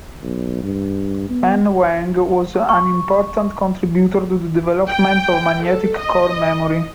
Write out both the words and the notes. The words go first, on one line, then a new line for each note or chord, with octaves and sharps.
An Wang was an important contributor to the development of magnetic core memory.
B1
G2
B3
C#6
G5
A4
D#5